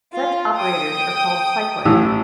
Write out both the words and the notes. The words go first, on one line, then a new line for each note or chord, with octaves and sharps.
Such operators are called cyclic.
F4
G5 D#6
A1 A2 E6